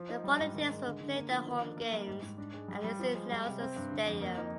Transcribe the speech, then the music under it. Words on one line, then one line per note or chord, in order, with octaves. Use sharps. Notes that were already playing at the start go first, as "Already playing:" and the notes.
The Volunteers will play their home games at Lindsey Nelson Stadium.
Already playing: F3
D#4
G3
G#2
D#3
G#3
D3
D3
A#3
F3
D#3
D4
A#3
G3
G#2
G#2
D4
G#3
G3
G3
F3
G#3
G3
C3
C4
G2
D3
F2
A#3
D#4